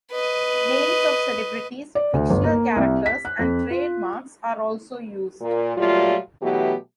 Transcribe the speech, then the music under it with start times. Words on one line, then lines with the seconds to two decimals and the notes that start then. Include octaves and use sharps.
Names of celebrities, fictional characters, and trademarks are also used.
0.11 B4 D#5
1.95 D5
2.13 D2
2.30 G1
2.44 A#3
2.76 C2
3.06 B6
3.25 F#6
3.39 F2
3.70 F4
5.41 A#2
5.77 A#2 F#3 G3 A3 F4
6.41 B2 E3 F#3 A3 B3 G4